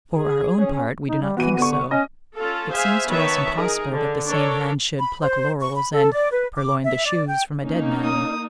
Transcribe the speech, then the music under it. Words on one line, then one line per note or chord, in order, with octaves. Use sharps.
For our own part, we do not think so; it seems to us impossible that the same hand should pluck laurels and purloin the shoes from a dead man.
G#4
C#4
D#4
G3
E3 B3 F#4 D#7
D3 B3 C#6
C#4 D#5
C#4 F4 A4
G#4 C5 E5 F5 G#5
D#3 B3 B4 C#5 E5 A5
D#4 G#4 A#4
D3
D4 A4 A#4 C#5
B5
C5
C#6
B5
A4
D5
B4
D6
E5
D5
G5
A#3 C#4 D#4
D#6